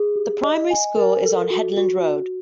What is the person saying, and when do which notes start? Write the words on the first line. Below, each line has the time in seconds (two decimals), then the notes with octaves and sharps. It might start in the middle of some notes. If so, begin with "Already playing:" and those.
The Primary school is on Headland Road.
Already playing: G#4
0.16 G4
0.43 D#5
0.70 G#5
0.97 A#4
1.24 A4
1.50 F#4
1.77 F#4
2.04 F#4